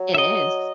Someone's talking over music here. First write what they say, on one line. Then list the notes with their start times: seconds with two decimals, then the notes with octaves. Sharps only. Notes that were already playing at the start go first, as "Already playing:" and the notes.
It is.
Already playing: F#3
0.14 E5
0.18 D#5